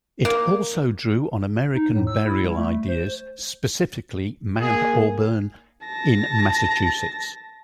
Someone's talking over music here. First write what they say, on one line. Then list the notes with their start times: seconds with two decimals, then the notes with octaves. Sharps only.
It also drew on American burial ideas, specifically Mount Auburn in Massachusetts.
0.25 A#3
1.75 D#4
1.93 A2
2.07 E6
2.25 E4
2.44 G3
2.57 A3
2.88 C5
4.60 A#3 G#4
5.86 A5 A#6